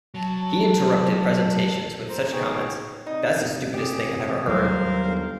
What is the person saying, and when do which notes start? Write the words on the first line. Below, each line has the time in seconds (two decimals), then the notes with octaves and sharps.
He interrupted presentations with such comments That's the stupidest thing I've ever heard!
0.14 F#3 A5
2.09 C5 A#5
2.32 B3 D#4 G#4 C#5 G5
3.06 C3 D#4
3.74 G4 G#4
4.47 D#2 F#3 G3 A#4 C5 F5
5.03 G1